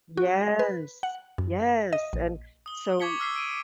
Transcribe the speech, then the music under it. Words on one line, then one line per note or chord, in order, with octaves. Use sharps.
Yes, yes, and so, y
F#4
B4
F#5
F#2
D#5
A#1
D#6 G7
C#6 D6 G#6 B6 C#7 G7
D6 E6 F6 B6 C7
D7 D#7